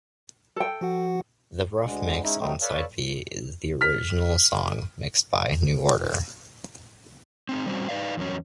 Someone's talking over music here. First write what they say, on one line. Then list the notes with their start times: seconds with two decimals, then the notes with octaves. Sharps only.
The "Rough Mix" on side B is the original song mixed by New Order.
0.56 A4 G5
0.81 F3 F#4 F#5
1.84 D2 D3 G#3
2.23 G#3 C#4 D#4 E4
2.40 F#3 G3 A3 C4 D#4
2.62 A4 B4 C#5 D5 F5 A5
3.81 F6 B6
7.49 C4 D#4 G#4
7.66 G3 C4 C#4 F#4
7.89 D#4 B4 C5 D5 F5
8.17 E2 F#3 C#4